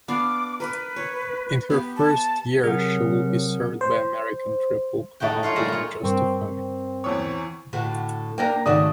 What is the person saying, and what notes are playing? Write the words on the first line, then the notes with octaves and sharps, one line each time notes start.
In her first year she will be served by American Triple Crown winner Justify.
B3 D4 F5 D6
A#4 B4
C#5
B3 G4 B4
A5
C3 F#3 G#4 A#4 F#5
C5
G#3 A3 D#4 F#4 G5
F4 C#5 F5
A#2 G3 D#4 G#4 A#4 E5
F4 C#5
G2 C4 A#4 C#6
C4
E2 E3 C#5
A2 D3 F#4
A#3 D4 A#4 G5 A#6
G#1 C#3 A3 F#4 D5 D#6